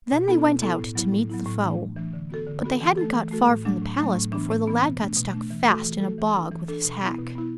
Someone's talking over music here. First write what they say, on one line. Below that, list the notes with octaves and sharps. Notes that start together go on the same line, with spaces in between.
Then they went out to meet the foe; but they hadn't got far from the palace before the lad got stuck fast in a bog with his hack.
B2
B3 E4 A4
B2
B3 E4 A4
A2
F#3 B3 E4
A2
F#3 B3 E4
A2
E3 A3 D4
A2
E3 A3 D4
D3
B3 F#4 A4
D3
B3 F#4 A4
E3
A3 F#4 A4
E3
A3 F#4 A4
A2
F#3 A3 D4
A2
F#3 A3 D4
A2
E3 B3 D4
A2
E3 B3 D4
B2
A3 D4
B2
A3 D4
E3
A3 F#4 A4
E3
A3 F#4 A4
E3
D4 A4
E3
D4 A4
B2
B3 E4
B2
B3 E4